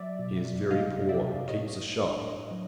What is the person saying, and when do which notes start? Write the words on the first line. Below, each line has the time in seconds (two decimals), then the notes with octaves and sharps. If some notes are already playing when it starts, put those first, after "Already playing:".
He is very poor; keeps a shop.
Already playing: F#3 D5 E5
0.19 B2
0.45 F#3
0.71 C3 D#5 F5
0.96 C3
1.09 D5 E5
1.22 C3
1.48 A2 C#5 D#5
1.74 A2
1.99 D4
2.25 A2
2.51 F#3